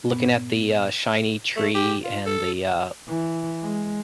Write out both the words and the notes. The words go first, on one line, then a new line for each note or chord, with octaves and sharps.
looking at the, uh, shiny tree and the, uh,
G2 A#2 B3
A3
G4
F4
A4
E3
G#3